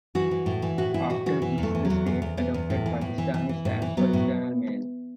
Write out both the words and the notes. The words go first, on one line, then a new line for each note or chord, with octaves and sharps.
After this the state adopted Pakistani stamps for external mail.
E3 F#4
E3
A2
E3
A2 F#4
E3 E4
A2 F#4
E3 F#4
E3
E2
A3
E3
F#3
E2
E2
E2
E2 B3
E2
A2
E3
A2
E3
E3
E3
A2
E3
F#3 B3
A2